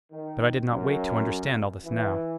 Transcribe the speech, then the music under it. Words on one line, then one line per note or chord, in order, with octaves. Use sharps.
But I did not wait to understand all this now.
D#3
F#2
E3